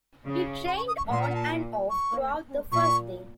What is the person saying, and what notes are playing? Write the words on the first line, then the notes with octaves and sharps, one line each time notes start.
It rained on and off throughout the first day.
C#3
C6
C#6
D#6
C#6
A#2 C6
A#5
F#5
A5
C#6
A#2 C#6